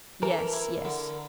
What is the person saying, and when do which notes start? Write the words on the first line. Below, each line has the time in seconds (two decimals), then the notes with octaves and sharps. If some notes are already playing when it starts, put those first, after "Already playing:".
"Yes, yes."
0.22 E3 A#4
0.30 A4
0.39 A#4
0.53 E4
0.85 D3